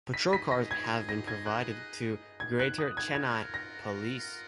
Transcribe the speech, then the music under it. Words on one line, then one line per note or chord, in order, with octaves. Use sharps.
Patrol cars have been provided to Greater Chennai Police.
D#4 G#4 D#5 B6
B6
A#6
G#6
A#6
G#6
F#6
G#6
F#6
D#6
G#6
F4 A#4 D#5 F#5 G#6
A#6